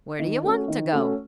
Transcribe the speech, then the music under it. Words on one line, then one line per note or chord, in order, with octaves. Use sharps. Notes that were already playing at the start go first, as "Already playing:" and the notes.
"Where do you want to go?"
D#3
A3 C#4 F#4
D#3
A3 C#4 F#4